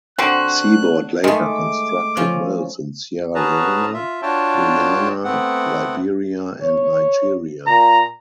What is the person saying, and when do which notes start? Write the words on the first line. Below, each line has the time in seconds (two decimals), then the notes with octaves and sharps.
Seaboard later constructed mills in Sierra Leone, Guyana, Liberia and Nigeria.
0.19 D3 C4 F#4 C5 F#6
1.24 D#3 G#3 A3 D6
2.17 F3 C#4
3.35 C#4 F#4 G#4 B4 A5 A#5
3.94 F4 E5
4.22 D4 F4 F#4 C#5 G5 A5
5.24 A3 B3 C4 F#5
6.62 C#5
7.67 A#2 A#5